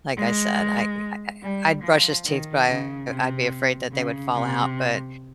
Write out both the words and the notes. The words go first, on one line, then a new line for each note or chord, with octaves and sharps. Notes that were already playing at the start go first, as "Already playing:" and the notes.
like I said, I I I I'd brush his teeth but I I'd be afraid that they would fall out, but
G#3
G3
F3
D#3
C#3
C3
C#3
C3